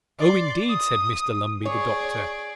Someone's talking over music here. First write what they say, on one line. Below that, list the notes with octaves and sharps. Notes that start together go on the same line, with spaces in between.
'Oh, indeed!' said Mr Lumbey, the doctor.
D5 C6
D#6
G#4 C#5 D5